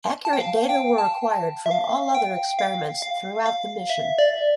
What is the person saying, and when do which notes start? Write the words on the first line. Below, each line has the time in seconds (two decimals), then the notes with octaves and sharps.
Accurate data were acquired from all other experiments throughout the mission.
0.25 A5
0.33 G5
0.40 F5
0.69 G5
0.98 A5
1.66 E5
1.71 F5
2.15 G5
2.59 F5
3.02 F5
3.46 F5
3.90 E5
4.18 D5